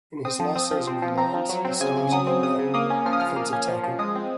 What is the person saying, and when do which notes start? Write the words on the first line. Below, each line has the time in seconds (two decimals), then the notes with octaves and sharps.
In his last season with the Lions, he started at defensive tackle.
0.25 C4 D#6
0.40 F3
0.56 C4 D#6
0.71 F3
0.87 C4
1.02 F3
1.18 C4 A#5
1.34 F3
1.49 F#3
1.65 C4
1.81 C#3 G#5
1.97 C#3
2.11 F#3 D#6
2.27 C4
2.43 C#3 D#6
2.59 C#3
2.74 A#3 D#6
2.90 C#4
3.06 F3 F6
3.13 D#6
3.20 F3 F6
3.36 A#3
3.53 C#4
3.68 F3
3.84 F3
3.99 G#3 D#6
4.16 C4